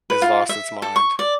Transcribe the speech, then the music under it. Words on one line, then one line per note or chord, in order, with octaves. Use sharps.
has lost its mind.
B4
F4
E5
A4
C#6
D5